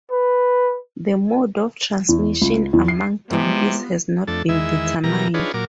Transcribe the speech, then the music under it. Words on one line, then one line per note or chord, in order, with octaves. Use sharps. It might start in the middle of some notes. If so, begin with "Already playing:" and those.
The mode of transmission among donkeys has not been determined.
B4
E2
C#2
E2
C7
C3 E3 G3 G#3 B3 F4
F2 A3 D4 A4
E2 D#3 G#3 E4 E5
B2 E3 G3 A#4 A#5
D4 D#4 F4 G#4 B4 C#5
A#2 F#3 A#4 D6